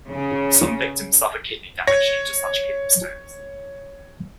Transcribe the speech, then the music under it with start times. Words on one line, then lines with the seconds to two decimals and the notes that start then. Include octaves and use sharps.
Some victims suffer kidney damage due to such kidney stones.
0.12 C#3
1.87 C#5 G#6 A#6